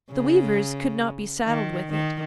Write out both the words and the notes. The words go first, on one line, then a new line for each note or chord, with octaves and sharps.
The weavers could not be saddled with it.
C#3
D#3
D#3